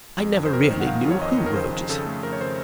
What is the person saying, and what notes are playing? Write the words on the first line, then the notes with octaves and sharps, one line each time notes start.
"I never really knew who wrote it."
F2
F2
C5
F2 A#4
D#3
F#5
D#3 F5
F2
C#5
F2 D#5
D#3
A#4
C#3 C5
F2
C#3 A4
A3
F2 A#4
C#5
C#3 C5